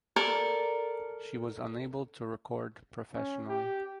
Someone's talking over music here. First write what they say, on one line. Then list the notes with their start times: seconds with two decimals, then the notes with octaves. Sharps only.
She was unable to record professionally.
0.16 A4 A#4 D5 A5
3.14 C#4
3.49 G4